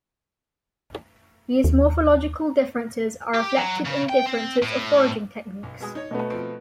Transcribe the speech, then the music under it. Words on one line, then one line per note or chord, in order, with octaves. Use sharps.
These morphological differences are reflected in differences of foraging techniques.
D#2
G4
F#3
C#3
G5
C4
A2
B1
B2 G#3 D#6
D#4 C#5
B2 A3 B3
F3 C4